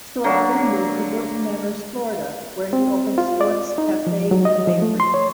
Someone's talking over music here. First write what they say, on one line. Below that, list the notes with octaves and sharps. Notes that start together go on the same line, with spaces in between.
Stork then moved to Wilton Manors, Florida; where he opened Stork's Cafe and Bakery.
D3 F#3 A#3
C4
F4
D5
D#4
F3
F#3
D#5
F3
A3
C6
C#5